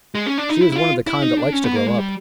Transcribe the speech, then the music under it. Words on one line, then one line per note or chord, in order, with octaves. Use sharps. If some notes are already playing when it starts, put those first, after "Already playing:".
She was one of the kind that likes to grow up.
G#3
C#4
D4
D#4
E4
E4
F4
E4
D#4
D4
C#4
B3
A#3
G#3
G3